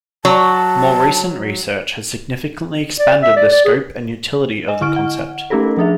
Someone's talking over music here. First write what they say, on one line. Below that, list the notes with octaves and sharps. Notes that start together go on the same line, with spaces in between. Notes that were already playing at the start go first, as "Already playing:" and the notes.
More recent research has significantly expanded the scope and utility of the concept.
F#3 A5
D5
E5
D5
D5
G#4
D#5 G#5
D3 E4 C#6 F6 D7
F#5
A3 C#4 D#4 G4 A4 A#4
F3 D4 G#4 E5